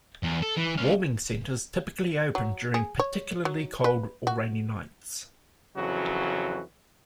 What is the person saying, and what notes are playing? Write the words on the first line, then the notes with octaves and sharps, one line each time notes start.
Warming centers typically open during particularly cold or rainy nights.
E2
A4
E3
C#2 F5
F#3
G#4
C#5
F#3
B4
F#4
F2 C#3 E3 F#3 F#4